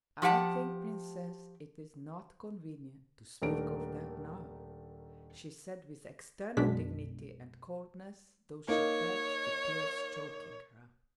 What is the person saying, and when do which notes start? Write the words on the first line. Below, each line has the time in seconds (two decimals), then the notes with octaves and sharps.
"I think, Princess, it is not convenient to speak of that now," she said with external dignity and coldness, though she felt the tears choking her.
0.22 F3 G4 F#5 G#5 A5
3.42 D#1 D#3 A3 D4 A#4 D7
6.57 B1 F#2 B2 G#3 D4 B6
8.68 A#3 D#4 C#5